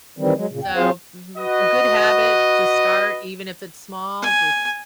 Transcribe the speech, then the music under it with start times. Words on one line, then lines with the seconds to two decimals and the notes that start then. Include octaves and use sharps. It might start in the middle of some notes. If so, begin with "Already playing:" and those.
So, mhm, a good habit to start, even if it's small, just
0.19 D#3 E3 G3 C4
0.35 F#3 G#3
0.51 A#2 C#3
0.63 E2 G5
0.76 F#3 C4 F4 G#4 C5 F5
1.38 F#4 B4 D#5
4.22 G#5